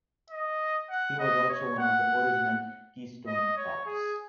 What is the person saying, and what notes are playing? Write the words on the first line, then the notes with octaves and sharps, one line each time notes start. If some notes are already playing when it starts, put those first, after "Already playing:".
He was also one of the original Keystone Kops.
D#5
F#5
D#5
C#5
F#5
D#5
C#5
G#4